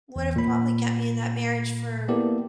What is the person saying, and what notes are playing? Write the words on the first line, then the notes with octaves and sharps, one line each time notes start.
would have probably kept me in that marriage for
E2
A#2 B5
A#3 B3 E4 G4 A4 D5